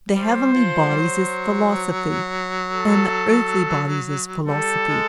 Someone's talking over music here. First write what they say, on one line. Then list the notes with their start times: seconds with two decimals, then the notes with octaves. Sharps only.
The heavenly bodies is philosophy, and the earthly bodies is philosophy.
0.10 G3 C5
0.54 F3
0.81 G#3
0.89 G3
0.98 F#3
2.70 A4
4.44 G3 A4
4.88 G#3